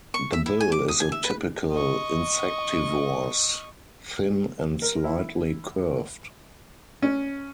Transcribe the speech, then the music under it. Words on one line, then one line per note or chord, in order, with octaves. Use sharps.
The bill is a typical insectivore's, thin and slightly curved.
C#6
E5
E4
G#5
D6
D#6
G#5
E5
B4
D#5 C#6
A#4
E4
C#4